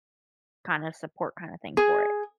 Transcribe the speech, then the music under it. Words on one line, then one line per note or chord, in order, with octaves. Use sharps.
kinda support kinda thing for it.
G#4